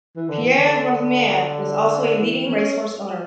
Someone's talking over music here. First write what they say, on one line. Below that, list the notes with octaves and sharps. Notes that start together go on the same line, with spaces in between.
Pierre Wertheimer was also a leading racehorse owner.
E3
D3
E3
D3
D3
E3
C#4